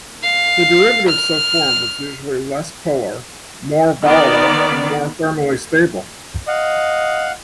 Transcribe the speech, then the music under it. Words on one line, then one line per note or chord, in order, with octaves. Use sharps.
The derivative so formed is usually less polar, more volatile and more thermally stable.
F5
F6
D#3 B3 D5
D#5 F5 F#5